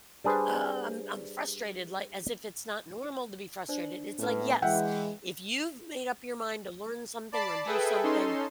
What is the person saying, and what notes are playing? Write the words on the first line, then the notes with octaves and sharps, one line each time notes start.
"Ugh, I'm I'm frustrated." Like, as if it's not normal to be frustrated. It's like, "Yes. If you've made up your mind to learn something or do something"
G3 D4 G#4 B4 C5
D4 C5 D5
A2 B3 C#4 B4
E3 G#3 E5 F#5 G5
D5 A5 B5 D6 A6 C7
G#4 A4 B4 E5 G5
C#4 D#4 A4 C6